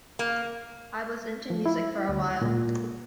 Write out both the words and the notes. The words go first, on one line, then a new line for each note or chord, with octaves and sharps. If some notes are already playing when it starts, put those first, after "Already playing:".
I was into music for awhile.
A#3
F3
E4
D2
A#2